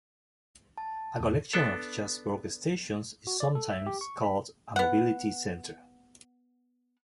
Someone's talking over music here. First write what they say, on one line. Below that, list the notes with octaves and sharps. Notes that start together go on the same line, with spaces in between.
A collection of such workstations is sometimes called a mobility centre.
A5
E2 A2
B3 D4 A4
F#4
D5
A4
E5
G4
C#6
B5
B3 F#5